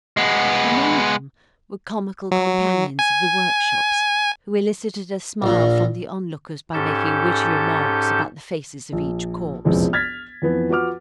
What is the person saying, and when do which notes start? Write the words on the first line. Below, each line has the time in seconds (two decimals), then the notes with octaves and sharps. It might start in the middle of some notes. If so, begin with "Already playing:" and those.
Among them were comical companions of the workshops who elicited a smile from the onlookers by making witty remarks about the faces of each corpse.
0.17 G#3 B3
2.32 F#3
2.99 G#5
5.42 A#1 A#2
6.73 G#2 C#4 G4 A4 A5 G6
8.93 A#1
9.65 E1 A#1 F2 C3 E3 G#3
9.93 F6 G#6 A6 B6
10.42 F2 E3 B3
10.69 F3 F#4 B4 D6 F6